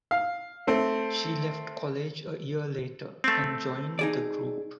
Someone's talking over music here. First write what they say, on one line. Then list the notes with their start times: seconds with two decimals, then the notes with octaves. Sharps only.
She left college a year later, and joined the group.
0.11 F5
0.67 A3 C4
3.24 A3 C4
3.99 D#4 G#4 D5